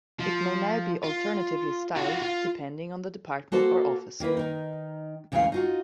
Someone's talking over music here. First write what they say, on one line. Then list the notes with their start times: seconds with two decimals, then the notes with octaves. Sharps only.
It may now be alternatively styled, depending on the department or office.
0.20 F3
1.04 F4
1.96 F4 F#4
2.22 F4
3.52 A#3 F#4 A4 C5
4.20 D#3 A#3 E4 B4
4.37 D#3 D#4
5.32 D2 C#3 E3 G#3 A3 F5
5.52 D#4 F4 F#4